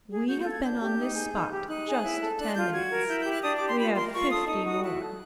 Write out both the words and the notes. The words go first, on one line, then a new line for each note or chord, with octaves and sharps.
We have been on this spot just ten minutes; we have fifty more.
G#4
F#4 G6
G6
A4
G#6
D4 G6
G4
D#4
G#4
D#4
G4
D#4 F#6
G#4
E4
A4
D4 F#6
F4 G6
F#4 G#6
A#4
E4 G6
G6
G4
F#6
D4 D#6
G4 D6
C6
F4 B5
A#4 C6
F4 C#6
A4 D#6
D#4 D#6
F#4 D#6
E4 F#6
A4